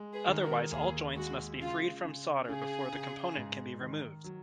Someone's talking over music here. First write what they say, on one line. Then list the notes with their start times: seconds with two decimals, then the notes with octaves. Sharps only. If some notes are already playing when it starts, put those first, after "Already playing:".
Otherwise all joints must be freed from solder before the component can be removed.
Already playing: G#3
0.13 G#4 B4
0.28 D#3
0.42 F#4 A#4
0.72 D#2 G#4
1.16 G#3 F#4
1.61 C#3 F4
2.04 C#3
2.49 C#3 G#4
2.93 C#3
3.37 G#2
3.81 D#3
4.24 F#3